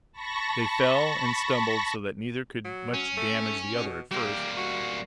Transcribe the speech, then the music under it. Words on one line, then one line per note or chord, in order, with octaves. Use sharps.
They fell and stumbled so that neither could much damage the other at first.
A5 B5 C#6 A#6
F#3
C#4
A3
B2
G3 A#3 G4
F#4